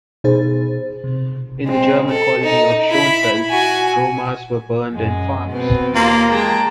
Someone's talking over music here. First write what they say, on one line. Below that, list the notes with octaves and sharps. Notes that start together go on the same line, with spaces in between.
In the German colony of Shonfeld, Romas were burned in farms.
B2 D#4 G#4 C5 A6
C3
G#3 C4
A4
D#4
E4 B5
F#4 G#5
F#2 G#3
B2 B3 C4
D#2 A#3 F4 C6
G#3 G5 A5 A#5